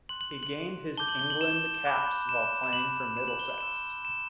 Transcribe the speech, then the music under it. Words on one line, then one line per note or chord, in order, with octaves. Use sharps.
He gained his England caps while playing for Middlesex.
C6 F#6 F#7
F#7
F#7
F#7
F#7
A5 D6 G6 G7
F#7
G7
F#7
E7
B5 D6 F#6
E7
E7
B5 D6 F#6 F#7
E7
F#7
G7
F#7
C6 E6 G6 E7
E7